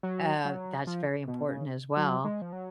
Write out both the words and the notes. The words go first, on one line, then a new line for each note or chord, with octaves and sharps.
Uh, that's very important as well.
F#3
F#3
F3
B2
C#3
F#3
G#3
F3
F#3